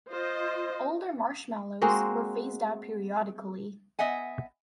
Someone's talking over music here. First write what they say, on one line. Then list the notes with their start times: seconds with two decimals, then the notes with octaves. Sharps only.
Older marshmallows were phased out periodically.
0.10 F4 C5 D#5
1.82 G#3 A#3 C4 F#4
3.99 B3 D#5 E5 F#5 G#5